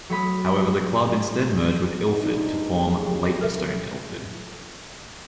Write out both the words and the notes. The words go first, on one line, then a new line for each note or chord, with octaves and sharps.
However, the club instead merged with Ilford to form Leytonstone-Ilford.
F#3 A3 B5 D#6
D2 G2 D4 D#4
C#3 A3 A#3 G4 G#4
A4 A#4 E5